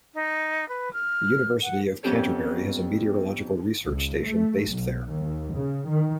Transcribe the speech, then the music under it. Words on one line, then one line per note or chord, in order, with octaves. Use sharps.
The University of Canterbury has a meteorological research station based there.
D#4
B4
F6
F#5
F2 B3 C#4 G4 A4 C#5
C#2
A3
B1
D#2
C#3
D#3